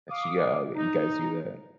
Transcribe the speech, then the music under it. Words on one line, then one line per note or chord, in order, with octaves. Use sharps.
that you, uh, you guys do that.
F5 D6 D#6
D#4